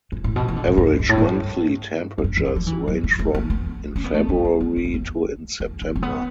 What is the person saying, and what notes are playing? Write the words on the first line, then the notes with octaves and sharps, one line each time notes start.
Average monthly temperatures range from in February to in September.
G2
A2
B2
E3
D3
A2
G2
G2
A2
G2
F#2
G2
E3
D3
F#3
E3
F#3
G3
A3
B3
B3
C#4
B3
A3
F#3
G3
A3
B3
A3
B3
B3
B3
A3
B3